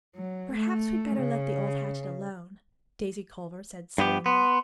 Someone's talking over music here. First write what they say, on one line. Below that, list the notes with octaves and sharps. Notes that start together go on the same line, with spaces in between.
"Perhaps we'd better let the old hatchet alone," Daisy Culver said sullenly.
F#3
A3
C#3
G2 B3 G4
B3 C6